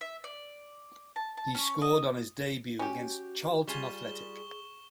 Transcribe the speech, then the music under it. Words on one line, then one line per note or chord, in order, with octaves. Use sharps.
He scored on his debut against Charlton Athletic.
E5
D5
A5
A5
C#4
D#5
C#4 F#4 G4
G3 F4 G#4 G#5 C#6 E7 G7
G#4